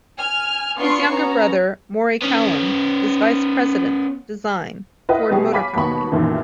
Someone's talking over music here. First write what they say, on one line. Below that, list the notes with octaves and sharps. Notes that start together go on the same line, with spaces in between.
His younger brother Moray Callum is Vice President, Design, Ford Motor Company.
G#5 F6
B3 D4 F4 C6 C#6 C7
B3 C#4 F#4 A#5
B3 C#4
E4 F4 B4 D#5 F#5
B2 G3 G4 G#4 C#6
C#5 F5 G#5 B5 D6 B6
D#2 B2 B5 C#6
B1 F#2 A#2 D#3 E3